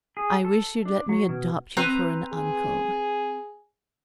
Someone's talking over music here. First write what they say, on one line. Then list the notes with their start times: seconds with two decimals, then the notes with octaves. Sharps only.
I wish you'd let me adopt you for an uncle.
0.17 G#4
0.45 A4
0.85 D4
1.09 F#3
1.29 B2
1.77 C4 B4 A#5
2.33 G#4